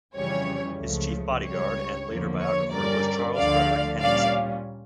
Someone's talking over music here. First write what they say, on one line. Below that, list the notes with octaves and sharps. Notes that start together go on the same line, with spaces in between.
His chief bodyguard, and later biographer, was Charles Frederick Henningsen.
F2 C#3 E3 G3 C#4 C#5
C#2 C#3 F3 A3
C#2 C#3 G3 C#5
E2 D3 F3 A#3
C#5
G2 D3 G3 C#4 A#4 D5
D2 D3 F3 A3 D5 F5
A#2 G3 C#4 D5 F5